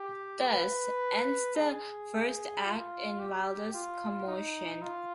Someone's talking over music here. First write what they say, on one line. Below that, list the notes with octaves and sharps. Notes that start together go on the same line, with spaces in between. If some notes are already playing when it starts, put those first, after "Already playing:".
Thus ends the first act, in wildest commotion.
Already playing: G4
B4
G#4
F4
G4
F4
D#4
F4